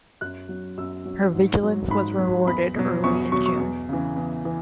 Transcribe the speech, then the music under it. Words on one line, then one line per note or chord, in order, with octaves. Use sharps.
Her vigilance was rewarded early in June.
F#2 F#6
F#3
F#2 E6
F#3
G#2
F#3
G#2 B5
F#3
E2 B5
B2 F#3
E2 C#6
B2 F#3 C#6
C#6
E2
C#3 E3
E2
E3